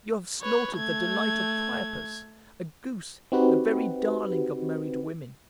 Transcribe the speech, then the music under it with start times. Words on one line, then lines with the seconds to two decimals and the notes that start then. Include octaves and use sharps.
You have slaughtered the delight of Priapus, a goose, the very darling of married women!
0.42 B4 C#5
0.76 A3 G#6
3.32 C4 D#4 F#4 G4 B4